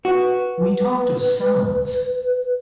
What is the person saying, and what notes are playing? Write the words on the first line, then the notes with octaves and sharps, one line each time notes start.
We talked of sounds.
F#4 B4